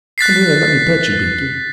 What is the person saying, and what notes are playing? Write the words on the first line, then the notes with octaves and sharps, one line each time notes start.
Come here and let me pet you, Binkie.'
F#6 A6 B6 C7